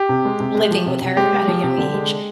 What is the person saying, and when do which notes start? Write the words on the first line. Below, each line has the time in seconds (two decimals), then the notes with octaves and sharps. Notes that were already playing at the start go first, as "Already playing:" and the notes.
living with her at a young age,
Already playing: G4
0.09 C3
0.25 G#3
0.40 C3
0.55 G#3
0.71 F3
0.86 C3
1.02 C3
1.17 G#3 G4
1.32 G#3
1.48 F3
1.64 C3
1.78 D3
1.94 G#3